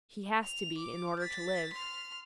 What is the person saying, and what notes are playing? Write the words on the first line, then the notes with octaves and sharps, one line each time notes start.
He has to be, in order to live.
F7
D6
A6 B6
C6 F6